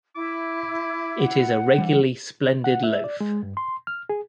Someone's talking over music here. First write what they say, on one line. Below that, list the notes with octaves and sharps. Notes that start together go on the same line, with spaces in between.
It is a regularly splendid loaf!
E4 D6
F#5
E3 G3
F#5
E5
D5
G#3
G2
C6
F6
G#4